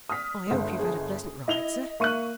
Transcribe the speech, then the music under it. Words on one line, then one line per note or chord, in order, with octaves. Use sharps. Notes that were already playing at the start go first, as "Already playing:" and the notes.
'I hope you've had a pleasant ride, sir.
D#6 F6 B6
G1 G#3
G#4
E4 D#5 F7 G7
A#3 E5 C#6 F#6 D#7